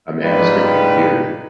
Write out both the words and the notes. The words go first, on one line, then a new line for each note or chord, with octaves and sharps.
A man is drinking a beer.
G#2 G3 D#4 F4 G4 B4